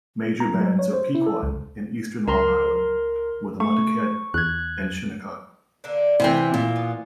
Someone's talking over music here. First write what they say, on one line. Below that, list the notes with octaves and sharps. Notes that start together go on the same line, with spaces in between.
Major bands of Pequot in eastern Long Island were the Montaukett and Shinnecock.
A#5
F#3
C#5
C5
E4
A4
C#2
C#2 A#4 A#5 C6
A3 C#6
E2 F#6 G#6
D3 A#3 D4
C3 E3 C4 E4
A#2 E5
B3